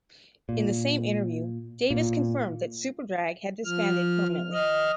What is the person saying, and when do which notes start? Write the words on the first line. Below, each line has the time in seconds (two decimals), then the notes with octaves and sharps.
In the same interview, Davis confirmed that Superdrag had disbanded permanently.
0.49 A#2
1.90 A#2
3.65 F3 F6
4.53 D#5 F6